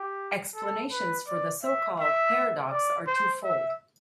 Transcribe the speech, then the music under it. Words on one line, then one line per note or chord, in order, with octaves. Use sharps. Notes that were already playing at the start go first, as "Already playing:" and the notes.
Explanations for the so-called paradox are two-fold.
Already playing: G4
A4
B4
D5
E5
E5
D5
C5
E5